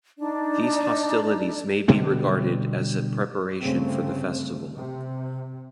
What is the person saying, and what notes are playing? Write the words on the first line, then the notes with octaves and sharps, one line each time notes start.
These hostilities may be regarded as a preparation for the festival.
D4 D#4 D5
B2 D3 G3 B3
G1 C#3 A3 C4
C3